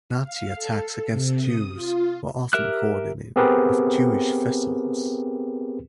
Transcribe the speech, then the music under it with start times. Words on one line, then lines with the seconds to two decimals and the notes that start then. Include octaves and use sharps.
Nazi attacks against Jews were often coordinated with Jewish festivals.
0.23 F5
0.55 A4
1.11 C3
1.42 D#6
1.75 F4
2.53 G4 A#4 E5 F6 F#6
3.36 B3 C4 G4 G#4 A#4 B4